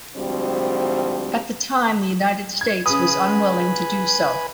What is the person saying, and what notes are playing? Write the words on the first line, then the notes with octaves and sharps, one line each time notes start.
At the time the United States was unwilling to do so.
D2 G#2 F3 G3 C4 F#4
G#6
C#3 B4 G#5 B5 D#6